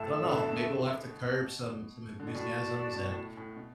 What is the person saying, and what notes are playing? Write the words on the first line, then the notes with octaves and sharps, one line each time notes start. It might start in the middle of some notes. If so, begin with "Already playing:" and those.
I don't know, maybe we'll have to curb some some enthusiasms, and
Already playing: A2 A4 E5 A5
B2
D3
B2
B2
D3
B2
A2 F#4 D5 A5
B2
A2
A2
B2